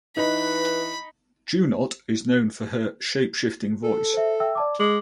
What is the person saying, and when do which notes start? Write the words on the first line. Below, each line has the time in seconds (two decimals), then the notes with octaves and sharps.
Junot is known for her "shapeshifting voice".
0.17 E3 D#4 B4 B5
3.84 A4
4.14 C5 E5
4.40 E5 G5 E6
4.55 D5 A5 D6
4.80 G#3 D6 F#7